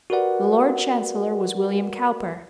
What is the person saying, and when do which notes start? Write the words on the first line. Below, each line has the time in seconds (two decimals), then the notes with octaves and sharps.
The Lord Chancellor was William Cowper.
0.10 F#4 G4 A#4 B4 D5 F#5